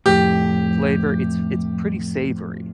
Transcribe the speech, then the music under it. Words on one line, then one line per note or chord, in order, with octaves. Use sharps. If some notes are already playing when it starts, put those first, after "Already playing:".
flavor. It’s it’s pretty savory,
F2 A2 G4